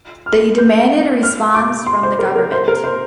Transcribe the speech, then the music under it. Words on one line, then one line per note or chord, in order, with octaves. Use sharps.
They demanded a response from the government.
F6
G6
F6
D6
C6
C5
A#4
A#4
C5
A#4
C5